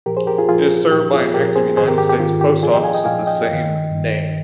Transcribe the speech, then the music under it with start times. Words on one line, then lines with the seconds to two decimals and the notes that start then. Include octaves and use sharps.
It is served by an active United States post office of the same name.
0.06 A#2 F3 G4 A#4
0.17 G#4 C5
0.27 G4 A#4
0.38 F4 G#4
0.49 A#2 F3 F4 G#4
0.91 A#2 F3 G4
1.13 F4 G#4
1.34 A#2 F3 G4 A#4
1.56 G#4 C5
1.77 G#2 G#4 C5
1.81 D#3
1.88 G4 A#4
1.98 G4
2.09 G4
2.20 G#2 D#3 F4
2.41 G4
2.63 A#2 F4 G#4
2.66 F3
2.73 D#5 G5
2.84 F5 G#5
2.95 D#5 G5
3.05 A#2 F3 F5 G#5
3.27 D#5 G5
3.48 G2 D#3
3.91 G2 D#3